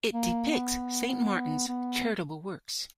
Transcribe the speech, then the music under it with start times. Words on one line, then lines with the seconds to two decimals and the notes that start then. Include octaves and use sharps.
It depicts Saint Martin's charitable works.
0.13 A#3
0.51 B3
1.67 B3